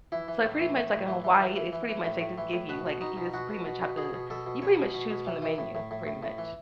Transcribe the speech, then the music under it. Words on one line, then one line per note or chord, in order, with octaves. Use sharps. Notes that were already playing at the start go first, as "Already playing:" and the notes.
so they pretty much like, in Hawaii, it's pretty much they just give you, like, you just pretty much have the you pretty much choose from the menu, pretty much.
E3 E4
E3
A2
E3
A2
A2
E3
E3
E3
E3
E3
E3
A2
A2
E3
A2
B2 B4
B2
B2 D#4
B2
B2 F#4
B2
B2
B2
B2 G#4
B2
B2 A4
B2
B2 C#5
B2
B2
B2
E3
E3
A2
A2
A2
A2
A2
E3